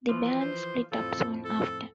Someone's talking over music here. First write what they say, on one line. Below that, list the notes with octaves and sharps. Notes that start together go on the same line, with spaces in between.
The band split up soon after.
E3 F3 F4
C5
F2 A2 F3 A4
A4